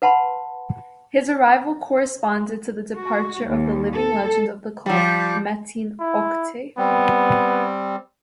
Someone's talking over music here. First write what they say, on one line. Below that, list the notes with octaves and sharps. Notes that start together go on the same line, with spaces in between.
His arrival corresponded to the departure of the living legend of the club, Metin Oktay.
B4 F#5 A5 B5 C6
F#4
D#2
A4
F3 G3
E4
G3 B3 C4